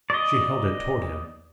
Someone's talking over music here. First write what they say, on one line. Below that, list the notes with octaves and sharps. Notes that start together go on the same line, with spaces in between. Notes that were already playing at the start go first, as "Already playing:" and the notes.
She held it toward him.
D5 D#5